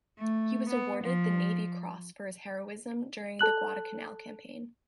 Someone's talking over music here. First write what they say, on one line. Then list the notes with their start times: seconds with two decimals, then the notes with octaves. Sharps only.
He was awarded the Navy Cross for his heroism during the Guadalcanal campaign.
0.18 A3
0.69 B3
1.04 F3
3.39 A4 A5 F#6 F#7